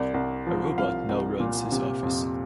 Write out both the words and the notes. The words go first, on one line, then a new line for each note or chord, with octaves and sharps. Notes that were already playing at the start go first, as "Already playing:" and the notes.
A robot now runs his office.
Already playing: C2 D5
C2
F3
C2 F5
C2
A#2
C3
F2